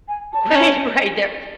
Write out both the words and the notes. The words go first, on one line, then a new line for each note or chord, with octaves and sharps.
Right, right. Their
G#5
A5
D#4
C#4